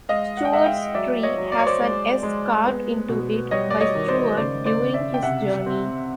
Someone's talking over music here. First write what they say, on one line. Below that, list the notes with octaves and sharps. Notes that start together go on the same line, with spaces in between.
Stuart's Tree has an 'S' carved into it by Stuart during his journey.
G#3 D#5 F5
F#5
G5
G#3 E5 F#5
F5 G5
F#3 D5 E5
C#5 D#5
F#3
D5
C#5
C5 D5
G#3
G#3
B3
B2
G3 C#5 D#5
D5
C#5 D#5
D#3
C5 D5
C#3 C5 D5
C5 D5
C#3
D5 E5
G5
C3 E5 F#5
C4